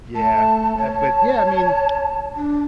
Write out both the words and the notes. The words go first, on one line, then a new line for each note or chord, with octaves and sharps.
Yeah. Ah, but yeah, I mean,
A3 A5
C#5 A5
D4